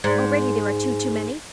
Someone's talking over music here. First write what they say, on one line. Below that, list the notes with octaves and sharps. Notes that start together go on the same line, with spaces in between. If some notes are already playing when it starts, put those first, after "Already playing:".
Already there are two too many.
G#2